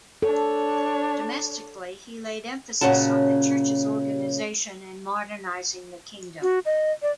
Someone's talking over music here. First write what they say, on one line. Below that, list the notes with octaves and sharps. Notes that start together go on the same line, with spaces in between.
Domestically he laid emphasis on the church's organization and modernizing the kingdom.
D4 A4 C#5
A#2 C#3 C#4 F#4 A5
F#4
D#5
D5